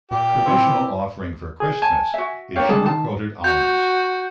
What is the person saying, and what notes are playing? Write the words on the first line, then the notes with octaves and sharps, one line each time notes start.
Traditional offering for Christmas is sugar coated almonds.
A#2 G4
C4 E4 E5
G#4
G#5 A5
F#4 E5
A#3 D4 G4 C#5 F5
G3 G#3 D4 G#4 A4 A5
D#3 A5
F#4 G6